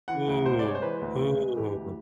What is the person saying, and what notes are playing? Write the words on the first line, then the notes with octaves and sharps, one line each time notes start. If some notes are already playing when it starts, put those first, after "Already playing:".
Ooh. Ooh.
E3 F#5
D2
C3 C5
D5
G#3 C#5
C5
E3 B4
D2
C3
G#3
E3 G4
D2